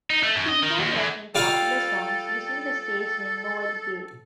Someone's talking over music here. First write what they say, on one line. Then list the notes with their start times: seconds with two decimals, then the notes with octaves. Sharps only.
He began writing popular songs, using the stage name Noel Gay.
0.10 D#4
0.23 A3
0.35 F#2
0.48 D#5
0.62 D#3
0.79 D#2
0.96 E2
1.35 G3 F4 A4 F5